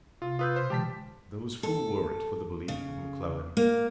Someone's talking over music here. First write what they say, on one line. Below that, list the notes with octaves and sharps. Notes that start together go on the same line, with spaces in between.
There was full warrant for the belief of McClellan.
C3 F4
F4 B4 D#6 E6 G6
B2 C5 C6 F6
D3 E3 G#3 G4 A5 B6
A4
C#3
A#3